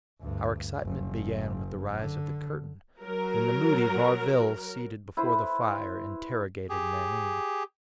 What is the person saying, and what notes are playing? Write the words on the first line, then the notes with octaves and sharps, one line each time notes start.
Our excitement began with the rise of the curtain, when the moody Varville, seated before the fire, interrogated Nanine.
D2 G2
F#1
D3
F#3 A#4
E4 B4 C5
G4 G#4